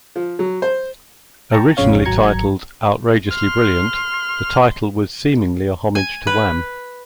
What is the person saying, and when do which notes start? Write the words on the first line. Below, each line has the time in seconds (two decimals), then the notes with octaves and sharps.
Originally titled "Outrageously Brilliant", the title was seemingly a homage to Wham!
0.16 F3
0.39 F#3
0.62 C5
1.52 G5 A5 A#5 C#6
1.77 A1 F2 C#3 C#5 F5
2.05 G#1 F#3 A#5 G#6 C#7
3.31 C6 F6
5.95 G#5
6.27 B4